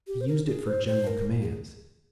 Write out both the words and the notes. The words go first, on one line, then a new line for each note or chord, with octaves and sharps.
He used it for general commands.
G4
C5
A#4
G#4
C5
C5
A#4
G4
G#4